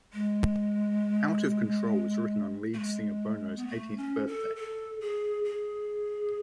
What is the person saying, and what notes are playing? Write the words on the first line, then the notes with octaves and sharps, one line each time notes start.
"Out of Control" was written on lead singer Bono's eighteenth birthday.
G#3
A3
G#3
B3
A3
C#4
A4
A4
G#4
G#4